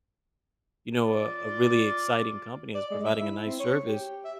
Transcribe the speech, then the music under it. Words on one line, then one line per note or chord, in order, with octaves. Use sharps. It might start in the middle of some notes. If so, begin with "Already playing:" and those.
you know, a a really exciting company that's providing a nice service,
F4 D5
D5
G#3
E5
E4
C4
C#5
G4
E5